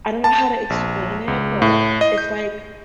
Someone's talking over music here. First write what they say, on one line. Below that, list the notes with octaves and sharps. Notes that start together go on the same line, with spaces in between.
I don't know how to explain it, but it's like
A5
A#1
C#2
A2
D#5
G6